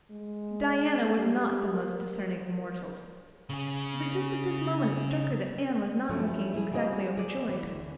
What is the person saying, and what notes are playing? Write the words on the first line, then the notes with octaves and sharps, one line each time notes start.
Diana was not the most discerning of mortals, but just at this moment it struck her that Anne was not looking exactly overjoyed.
G#3
G3
A#4
C#3 G#4
G2 F3 F#3 A3 C#4
E4 G#4
G3 C4 F4 G#4 C#5 D#5
G#4 D5
E3
D2